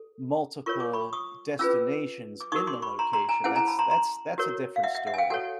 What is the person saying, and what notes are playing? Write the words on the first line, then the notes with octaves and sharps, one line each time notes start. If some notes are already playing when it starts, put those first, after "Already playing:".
multiple destinations in the location, that's that's that's a different story.
Already playing: A4
F4 A#4 C#5 C#6
D6
B5 C#6
C#6 D#6
C#4 F4 G#4 B4 D6 E6
D6
D#4 F#4 A#4 C#6 D#6
C6 D6
B5 C#6
A#5 C6
A#5 C6
G#5 A#5
C#4 E4 G#4 C5 F#5 G#5
G#5 A#5
A5 B5
A#5 C6
A#5 C6
F#4 A#4 C#5
F5
E5 F#5
E5 F#5
E5 F#5
G#5
F5 G5
F#4 A4 C#5 F#5 G#5